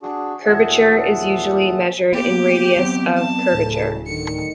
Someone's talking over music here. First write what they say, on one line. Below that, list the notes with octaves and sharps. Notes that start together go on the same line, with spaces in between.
Curvature is usually measured in radius of curvature.
D4 F#4 G#4
D#2 A#2 G#4 E5 F#5 A5
A#3 B3 G4
F#3 B3 C4
A5
D1 A2 C#3
A2 D3 D#3 C#7